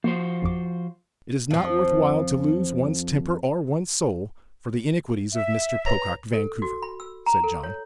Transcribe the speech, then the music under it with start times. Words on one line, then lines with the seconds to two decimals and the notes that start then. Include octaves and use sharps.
"It is not worth while to lose one's temper or one's soul for the iniquities of Mr. Pocock Vancouver," said John.
0.04 F3 A#3 F#4 C5
0.42 G#1 F2 D6
1.51 F2 F3
5.32 E5
5.86 B4 C#5 A#5
6.33 A4
6.62 F#4
6.82 B5
7.00 E6
7.26 A#5
7.44 A4
7.63 C#5